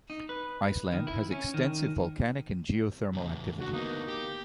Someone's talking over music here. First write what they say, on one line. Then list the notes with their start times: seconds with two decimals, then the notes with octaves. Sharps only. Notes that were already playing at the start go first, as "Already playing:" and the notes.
Iceland has extensive volcanic and geothermal activity.
0.10 D#4
0.29 B4
0.92 D#3
1.07 E4
1.31 C#4
1.54 D#3
3.13 E2 A2
3.59 C#2 D4 F#4
3.73 D2 A#3 B3 D#4
4.08 G4